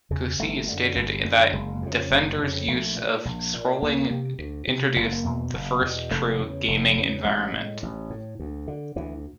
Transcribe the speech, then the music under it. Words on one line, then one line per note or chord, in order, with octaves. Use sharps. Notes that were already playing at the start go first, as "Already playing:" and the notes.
Cuciz stated that "Defender"s use of scrolling introduce the "first true 'gaming environment'".
E2 C#3
G1 A3
F#2 D3
G1
F#2 D3
F#1 G#3
F2 C#3
F#1
F2 C#3
A#1 A3
A#2
A#1
A#2
D2 A#3
C3
D2
C3
F#1 A#3
A3
A#3
E2 B2
F#1
E2 B2
F1 A3
E2 C#3
F1
E2 C#3
A1 G#3
A2
A1
A2
D2
D3
D2 E3